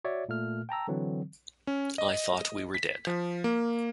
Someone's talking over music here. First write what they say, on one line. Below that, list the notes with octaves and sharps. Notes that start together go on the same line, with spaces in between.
I thought we were dead.
F#4 C#5 D5 E5
A#2 A3 F6
G5 A5 A#5 E6
D3 E3 F#3 C4
C#4
D#5
B6
F3
A#3